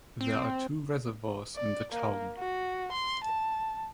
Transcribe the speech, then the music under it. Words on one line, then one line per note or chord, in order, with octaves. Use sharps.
There are two reservoirs in the town.
C4
D5
A#3
F#4
C6
A5